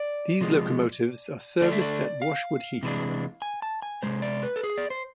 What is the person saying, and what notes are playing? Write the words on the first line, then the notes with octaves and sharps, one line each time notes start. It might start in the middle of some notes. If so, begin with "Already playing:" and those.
These locomotives are serviced at Washwood Heath.
Already playing: D5
C3 F3 G#3
D3 A3 D4 D5
E5
D5
F5
C3 E3 G#3 D4
G#5
A5
G#5
C3 E3 G#3 C5
D5
B4
A4
G#4
D5
C5